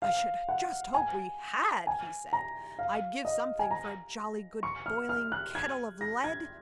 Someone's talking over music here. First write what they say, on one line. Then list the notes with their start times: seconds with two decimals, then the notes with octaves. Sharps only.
'I should just hope we HAD!' he said; 'I'd give something for a jolly good boiling kettle of lead.
0.02 F5
0.49 F#5
0.94 G#5
1.87 G#5
2.33 A#5
2.79 F5
3.25 D#5
3.59 G#5
3.71 A#5
4.63 C#6
4.86 F6
5.09 F6
5.32 F#6
5.55 G#6
6.01 A#6
6.24 G#6